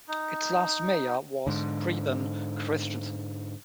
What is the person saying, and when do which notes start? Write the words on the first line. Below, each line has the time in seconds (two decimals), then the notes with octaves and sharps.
Its last mayor was Preben Christensen.
0.08 D#4
1.47 G#2 D3